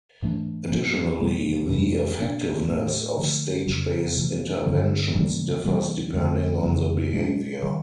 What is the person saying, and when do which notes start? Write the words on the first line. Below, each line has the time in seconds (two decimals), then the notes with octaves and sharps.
Additionally, the effectiveness of stage-based interventions differs depending on the behavior.
0.22 G#2 E3 A3 D4
0.72 G#2 F3 A#3 C#4
1.20 B2 G3 A#3
1.70 F2 C3 E3 G3
2.19 B2 F#3 B3 D4
2.68 A2 F#3 A3
3.18 D3 F3 A3
3.67 F2 C#3 F#3
4.16 C3 E3 A3
4.66 G2 D3 F#3 B3
5.15 G#2 E3 G3 A#3
5.65 C3 E3 G3 A#3
6.14 F2 D3 F#3 A3
6.63 F2 C#3 F#3
7.13 B2 G#3 B3 D4
7.62 D#3 G3